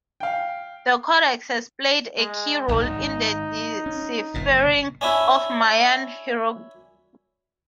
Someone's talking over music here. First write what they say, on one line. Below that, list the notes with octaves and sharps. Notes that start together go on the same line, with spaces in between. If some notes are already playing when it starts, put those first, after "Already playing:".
The codex has played a key role in the deciphering of Mayan hieroglyphs.
F5 G5
G#3
D#1 G#1 D#4
C#4
F#1 A#2
C#4 D4 E4